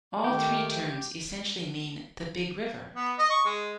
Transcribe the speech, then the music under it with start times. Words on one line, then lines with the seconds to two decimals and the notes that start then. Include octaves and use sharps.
All three terms essentially mean "the big river".
0.24 D#3 A3 G4
2.95 B3
3.19 D#5
3.30 C#6
3.45 G#3